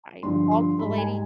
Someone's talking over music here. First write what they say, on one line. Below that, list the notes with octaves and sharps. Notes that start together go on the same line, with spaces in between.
I called the lady
G2 D3 F3 C6
C6
G#2 G3 B5
G#5